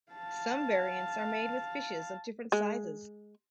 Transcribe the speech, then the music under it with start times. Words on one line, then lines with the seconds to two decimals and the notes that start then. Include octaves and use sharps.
Some variants are made with fishes of different sizes.
0.12 F5 A5
2.52 G#3